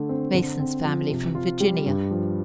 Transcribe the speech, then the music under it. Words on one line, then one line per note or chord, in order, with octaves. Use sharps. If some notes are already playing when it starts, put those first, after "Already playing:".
Mason's family, from Virginia.
Already playing: D3 A3
C4
D3
C4
F3
C3
F4
G3
G2
F3